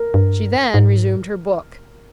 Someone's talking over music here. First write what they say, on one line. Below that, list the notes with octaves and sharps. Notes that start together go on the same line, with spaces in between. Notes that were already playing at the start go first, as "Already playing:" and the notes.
She then resumed her book.
Already playing: A#4
G2
G#2